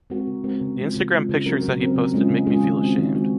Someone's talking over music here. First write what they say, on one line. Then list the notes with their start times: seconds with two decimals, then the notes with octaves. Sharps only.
The Instagram pictures that he posted make me feel ashamed.
0.10 G#3 C4 F#4 A#4
0.27 C#3
0.44 G#3 C4 F#4 A#4
0.61 C#3
0.78 F3 G#3
0.96 C#3
1.12 F3 G#3
1.29 C#3
1.46 F#3 C4 F#4 A#4
1.62 C#3
1.80 F#3 C4 F#4 A#4
1.96 C#3
2.14 G#3 C#4 F4 G#4
2.30 C#3
2.47 G#3 C#4 F4 G#4
2.64 D#3
2.81 G#3 C4 F#4
2.98 D#3
3.15 G#3 C4 F#4